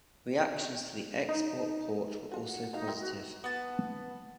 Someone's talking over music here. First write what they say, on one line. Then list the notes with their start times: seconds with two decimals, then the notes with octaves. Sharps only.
Reactions to the Xbox port were also positive.
1.29 D#4
2.32 F4 F#4
2.48 F#5
2.73 D#4 F#4 F5
2.88 C4 E4 A#4
3.00 F#4
3.44 B3 A5